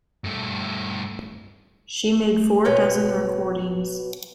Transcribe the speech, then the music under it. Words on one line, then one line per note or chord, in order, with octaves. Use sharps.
She made four dozen recordings.
G2 A3
B2 B4 C#5 G5